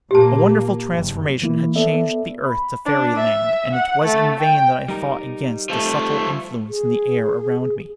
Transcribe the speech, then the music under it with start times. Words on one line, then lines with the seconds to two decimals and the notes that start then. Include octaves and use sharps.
A wonderful transformation had changed the earth to fairy land, and it was in vain that I fought against the subtle influence in the air around me.
0.11 A#2 A#3 G4 A5
0.90 F#1 G2
1.42 E3 A#3 E4
1.75 B3 A4 D5 E5
2.45 B5
2.85 D4
3.16 E5
3.73 F#5
4.04 A3
4.40 G5
4.88 G3 D#4 A#4
5.70 F3 A3
6.69 G#4